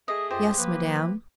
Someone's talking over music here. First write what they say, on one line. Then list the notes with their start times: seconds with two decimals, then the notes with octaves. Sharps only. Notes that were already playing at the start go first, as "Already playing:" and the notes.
"Yes, Madame."
0.08 A3 G#4 D#5
0.31 F#2 F4 G4 C5 D#5
0.57 F3 A#3 B4